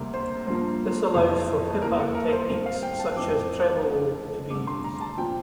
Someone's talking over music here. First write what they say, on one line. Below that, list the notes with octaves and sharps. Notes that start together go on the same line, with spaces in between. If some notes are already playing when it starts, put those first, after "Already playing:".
This allows for "pipa" techniques such as tremolo to be used.
Already playing: D2 C3 G3 A#3 A#4
C5
G2 F3 A#3 C5
F2 C3 E3
E2 E3 A#3 A#4
A4
A#4
C5
A2 G3 C4
F5
G5
A5
F2 E3 A3 C4 D6
F2 D3 A3
G2 D3 A3 D6
C6
A#5
A5
A#2 F3 C4 G5